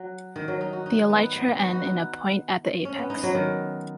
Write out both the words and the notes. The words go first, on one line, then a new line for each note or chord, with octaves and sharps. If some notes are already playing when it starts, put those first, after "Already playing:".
The elytra end in a point at the apex.
Already playing: F#3
D#3
F#3
D#4
F#4
D#4
B3
B3
B3
D#4
F#4
D#4
C#4
B3
D#4
F#3
D#3